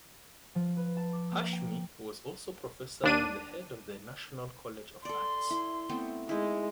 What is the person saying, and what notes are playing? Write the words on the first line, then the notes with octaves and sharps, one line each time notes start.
Hashmi was also professor and the head of the National College of Arts.
F3
B4
A5
D6
A#3
G5
D#2 D4 D#7
A4 D5 C6
E4
A3 B3 C4
G#3 D#4 E4